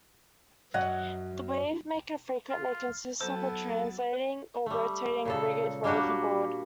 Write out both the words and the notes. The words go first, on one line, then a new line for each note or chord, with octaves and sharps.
The wavemaker frequently consists of a translating or rotating rigid wave board.
F#2 C#5 D#5 F#5 A#6
F4
F#3 B3 E4 A4 C5 A5 E6 A6
G3 A3
A#2 C#3 A4
G3 A#3 D4 F#4 G4